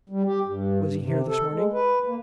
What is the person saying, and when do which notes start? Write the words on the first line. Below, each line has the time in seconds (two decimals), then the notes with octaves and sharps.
'Was he here this morning?'
0.10 G3
0.25 G4
0.46 G2
0.84 G2
1.02 C3
1.27 A4
1.51 G#3
1.73 B4
2.06 A#3